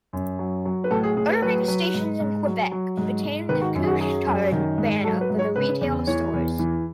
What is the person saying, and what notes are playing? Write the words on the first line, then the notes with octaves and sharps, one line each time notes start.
Irving stations in Quebec retain the "Couche-Tard" banner for the retail stores.
F#2
F#3
F#3
B4
A2 A4
G#4
A2 G#4
B4
F#3 B4
F#3
G#2
G#2
F#3
F#3
G#2
G#2
D#3 B4
F#4
F#2
G#4
F#4
F#3 G#4
F#2
D#3
G#2
F#3 A4
B4
G#2
C#5
C#3 B4
E2
E3 C#5
E2
E3